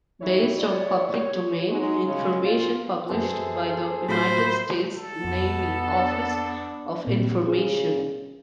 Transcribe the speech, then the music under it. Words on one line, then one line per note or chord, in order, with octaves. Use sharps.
Based on public domain information published by the United States Navy Office of Information.
F#2 E3 D#4 E4 G4 C#5
E4 C#5 D5
G4 C#5
F#3 G#3 D#4
C#3 G#3 C#4
A#2 F4 C5
F#2 B3 G#4 A4 C5
A2 F3 F#3 C5 B5
E2 A4
F2 B2 B3
D4
A#2 C4
C#3